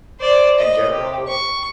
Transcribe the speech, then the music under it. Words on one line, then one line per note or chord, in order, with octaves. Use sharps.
in general."
C5 D5
D#5
G4
C#6